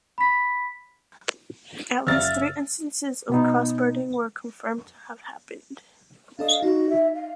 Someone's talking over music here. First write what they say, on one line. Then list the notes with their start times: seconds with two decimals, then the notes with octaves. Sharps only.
At least three instances of cross burning were confirmed to have happened.
0.18 B5 B6
2.07 F#1 E5 F5 F6 A6
3.30 B2 B3 D#4
6.39 D4 A4 D#5 F5
6.63 D#4 F#4
6.90 E5
7.15 F5